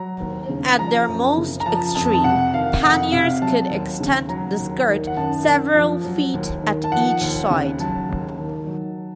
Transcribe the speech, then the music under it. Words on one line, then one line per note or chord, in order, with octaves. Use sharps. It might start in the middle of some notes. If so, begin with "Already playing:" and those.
At their most extreme panniers could extend the skirt several feet at each side.
Already playing: F#3 A#5
D#2
C#3
F3 A#5
F#2
C#3
A#5
F3 A5
F2 A5
A5
C3 F#5
D#3 F5
F2 F#5
C3 F5
F#3 A5
D#2
C#3
F#3 A#5
D#2
D#3
F#5
F#2 A5
F#2
F3
F#3
D#2
D#3
A5
F3 F#5
D#2
C#3
F#3 A5
D#2
D#3
F#3